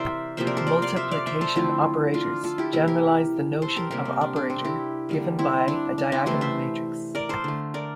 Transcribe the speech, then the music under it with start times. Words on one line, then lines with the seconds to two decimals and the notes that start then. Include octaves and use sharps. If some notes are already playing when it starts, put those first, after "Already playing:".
Multiplication operators generalize the notion of operator given by a diagonal matrix.
Already playing: C3 E3 A#4 C5 D5 E5
0.37 C3 F3 A#3 C5 E5
0.47 A#4 D5
0.57 A4 C5
0.67 A#4 D5
0.82 D5 F5
0.96 C5 E5
1.11 D5 F5
1.27 C5 E5
1.41 A4 C5
1.55 D3 F3 A3 C4 E4
2.14 D4 F4
2.44 F4 A4
2.58 E4 G4
2.73 C3 E3 A#3 E4 G4
2.88 G4 A#4
3.62 A4 C5
3.76 G4 A#4
3.91 C3 G3 A#3 G4 A#4
4.05 C4
4.21 D4
4.36 D4
4.50 C4
4.64 E4 G4
5.09 D3 G3 A#3
5.39 C4 E4
5.68 D4
5.98 D4
6.12 C4 E4
6.26 C3 E3 A3 A4 C5
6.41 C5 E5
7.15 A#4 D5
7.29 A4 C5
7.44 D3 A3
7.74 A#4 D5